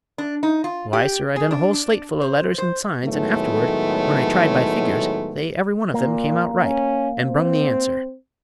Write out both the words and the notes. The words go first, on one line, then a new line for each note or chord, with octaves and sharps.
Why, sir, I done a whole slate full of letters and signs; and afterward, when I tried by figures, they every one of them came out right and brung the answer!
D4
D#4
F4
G4
G#4
D4
D4
C5
C5
A2 D#3 F#3 G#3 A3 B3
A#2 A#3
C#4
C4